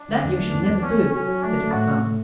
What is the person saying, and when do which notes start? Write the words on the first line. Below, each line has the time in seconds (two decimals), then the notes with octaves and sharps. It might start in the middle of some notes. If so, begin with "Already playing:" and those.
"That you shall never do!" said her father.
Already playing: D4
0.08 D3
0.23 E2
0.38 A3
0.53 E2
0.67 E2
0.82 B3 C#4
0.98 A4
1.13 F#3 C#4
1.28 F#3
1.42 A3 D4
1.57 A3
1.72 A2 F#4
1.87 A2
2.02 A3